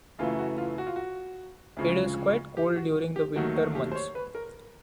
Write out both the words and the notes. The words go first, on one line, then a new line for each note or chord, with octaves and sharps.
It is quite cold during the winter months.
F#2 C#3 E3 A3 F4
F#4
F4
F#4
F4
F#4
D2 C#3 F3 G#3
G4
F#4
G4
D#2 D#3 F#3 A3 F#4
F#4
G4
C5
C#5
B4
A#4